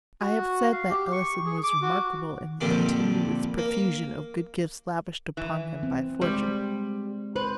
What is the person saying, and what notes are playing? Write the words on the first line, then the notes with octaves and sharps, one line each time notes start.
I have said that Ellison was remarkable in the continuous profusion of good gifts lavished upon him by Fortune.
F#4
F5
G4
C#6
G#4
D6
F#4
F2 A#2 D3 G3 D4
A#3
E3
C4
G3 G#3 C5
B4 C5